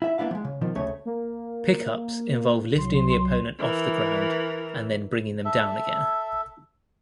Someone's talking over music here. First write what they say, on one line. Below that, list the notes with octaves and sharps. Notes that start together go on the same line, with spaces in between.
Pickups involve lifting the opponent off the ground and then bringing them down again.
E4 E5
A#3 B3 D4 E4 F5
F3 G#3
C#3
B2 D#3 F3
D2 C#3 A3 C#5
A#3
C2 F#3 C6
E3 A#4
A4 E5